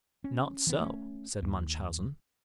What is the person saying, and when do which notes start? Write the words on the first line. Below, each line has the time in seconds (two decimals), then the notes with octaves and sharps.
"Not so," said Munchausen.
0.24 C#4
0.67 E3 B3
0.80 A3 A#3 C#4
1.43 D#2